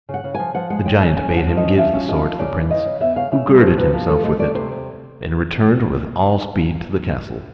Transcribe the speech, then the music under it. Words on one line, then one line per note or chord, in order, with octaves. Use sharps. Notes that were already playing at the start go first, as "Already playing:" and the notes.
The giant bade him give the sword to the prince, who girded himself with it, and returned with all speed to the castle.
C#3
F#5
C#3
F3 G#5
F3 F#5
G#3 F#5
C#3 G5
C#3 G#5
C#4 G#5
F3
F#5
F3
C#4 D#5
F3 E5
C#4
F3 D#5
A#3
C#3 D5
E3
C#3 D#5
C#3
B3 E5
C#3 F5
C#3 E5
G3
B4
F3 C5
C3 B4
F3 A#4
A3 A4
A3 D#5
A3 D5
C3 C5